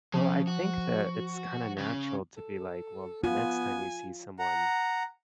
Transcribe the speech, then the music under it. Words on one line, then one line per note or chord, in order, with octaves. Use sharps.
Well, I think that it's kinda natural to be, like, well, the next time you see someone,
C#3 F3
F#4
C#3
A4
B3 F4 G#5
F#5 A#5